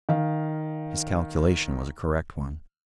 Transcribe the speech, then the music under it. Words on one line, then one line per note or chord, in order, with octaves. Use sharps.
His calculation was a correct one.
D#3 F5